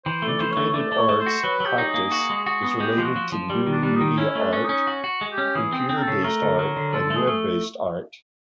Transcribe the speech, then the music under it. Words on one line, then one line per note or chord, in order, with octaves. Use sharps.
Integrated arts practice is related to new media art, computer-based art, and web-based art.
E3 C5
A3
D5
E3 C5
C#5
A3
C#5
A3 D5
A3
C#5
A3
C5
F#4
F#3 B4
F#3
G4
D#4
G#4
A#3
F#4
G#3
F#4
B3
G#3 G4
F3
F#4
F3
F3
G3
D#3
D4
G3 D4
D#4
D#3
C#4 E4
A3
D4
C#4
D#4
C#4
F#4
F#4
G#3
G4
C#4
E3 G#4
C4
G#4
C4
A#4
A4
C#3
A3 A#4
D3
F#3 A#4
D3
F3 A4
A3
G#4
A3